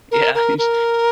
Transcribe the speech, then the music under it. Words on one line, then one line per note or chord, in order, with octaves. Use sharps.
Yeah, he's
A#4
A#4
A#4